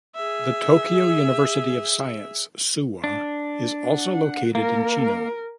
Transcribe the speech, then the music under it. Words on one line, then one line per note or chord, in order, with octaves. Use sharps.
The Tokyo University of Science, Suwa is also located in Chino.
G#4 E5
D4
F#5
A#3 A#4